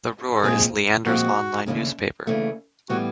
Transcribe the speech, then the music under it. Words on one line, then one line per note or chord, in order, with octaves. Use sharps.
"The Roar" is Leander's online newspaper.
A4
A#2 F3 G#3 C4 G#4
A#2 F3 G#3 C4 F#4
D#2 C#3 E3 A3 D4
D#2 C#3 E3 A3 D4
A2 E3 G3 B3 F#4